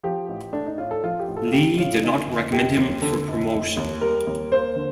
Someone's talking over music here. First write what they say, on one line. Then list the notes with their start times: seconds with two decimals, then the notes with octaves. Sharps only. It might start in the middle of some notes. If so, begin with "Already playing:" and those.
Lee did not recommend him for promotion.
0.03 F3 G4
0.29 A1
0.53 A3 D4
0.66 D#4
0.78 A2 F4
0.91 A4
1.03 F3 F4
1.20 G4
1.28 A1
1.37 A4
1.47 F4
1.52 A3 G4
1.77 A2 F4
2.03 D3 D#4
2.27 F1
2.52 F1 G4
2.77 D#2
3.02 D3 A4
3.28 F1
3.52 F1
3.77 D#2
4.01 G3 A#4
4.27 D#2
4.52 A#3 C5
4.76 D3